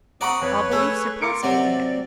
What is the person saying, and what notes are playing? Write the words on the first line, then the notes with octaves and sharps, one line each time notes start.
All beliefs are possible to him.
C4 D5 F#5 A#5 B5 C#6 D#6
F2 B4 C#5
A3 G#4 E6
F4 A#4 D6 C#7 D7
C3 F#3 D5